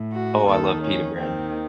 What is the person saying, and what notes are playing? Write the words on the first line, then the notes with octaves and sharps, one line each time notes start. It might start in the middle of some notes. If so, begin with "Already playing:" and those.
Oh, I love pita bread.
Already playing: A2
F#4
D#2 D#3 A4
C#4
D#2 D#3 C4